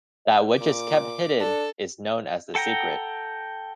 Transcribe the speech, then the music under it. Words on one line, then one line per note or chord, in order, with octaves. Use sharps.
That which is kept hidden is known as the secret.
A#2 D6
D4 A4
A4 F#5 G5 A#5